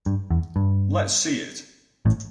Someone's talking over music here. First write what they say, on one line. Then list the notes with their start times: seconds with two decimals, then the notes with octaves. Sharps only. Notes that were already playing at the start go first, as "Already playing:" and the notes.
Let's see it!
0.06 G2
0.30 E2
0.56 G2
2.05 A1 A2